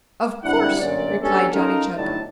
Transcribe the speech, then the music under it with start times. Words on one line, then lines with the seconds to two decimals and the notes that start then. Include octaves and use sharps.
"Of course," replied Johnny Chuck.
0.44 G#1 G2 G3 D4 E4 F#5
0.80 G1 F#2 A#2 F#3 C#4 D5
1.21 B3 C#4 D4 G4 A4
1.53 C#4 D#4 F4 A4 A#4
1.95 G1 A2 F#3 D#4 D5 A5